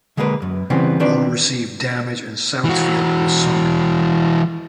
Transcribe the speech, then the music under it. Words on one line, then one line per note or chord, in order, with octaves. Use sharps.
All received damage, and "Southfield" was sunk.
D3 G#3 A#3 A#4 B4
F#2
C#3 E3 G3 B3 C4
D#3 C4 D4 F4 B4 D5
E3 F#4